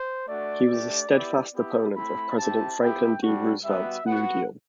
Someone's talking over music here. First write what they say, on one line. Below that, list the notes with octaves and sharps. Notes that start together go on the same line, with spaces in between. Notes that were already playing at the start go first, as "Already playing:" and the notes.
He was a steadfast opponent of President Franklin D. Roosevelt's New Deal.
Already playing: C5
A3 D4 F#4 D5
A3 D4 G4
B3 E4 G4
B3 E4 G4
A3 C4 E4 B5
C4 E4 G4 A5
B3 E4 G4 G5
G3 D4 F#4
G3 B3 F#4 E5
B3 F#4 F#5